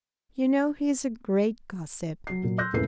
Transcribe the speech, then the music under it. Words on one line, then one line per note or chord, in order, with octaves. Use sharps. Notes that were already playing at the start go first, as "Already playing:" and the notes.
You know he is a great gossip.
F#3 C7
A#2 F#3
C6 E6 F#6 G6 A#6
F1 C#2 A2 A#3 B4 C7